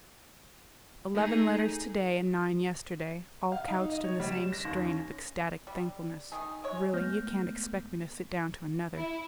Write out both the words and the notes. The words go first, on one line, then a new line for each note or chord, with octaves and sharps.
Eleven letters to-day and nine yesterday, all couched in the same strain of ecstatic thankfulness: really, you can’t expect me to sit down to another.
A3 D#4 G#4
F5
D#4
D#5
C#5
G3
E7
A#6
D#2
C#4
G3
D#3 D#4 G#4
G#3 C#5
G#3 A3 B3 F6 G6 A#6
E4